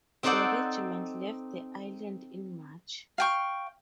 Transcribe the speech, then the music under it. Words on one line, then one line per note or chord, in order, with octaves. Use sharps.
The regiment left the island in March.
C4 D#4 A4 C5 D5 F#5
F5 G5 C#6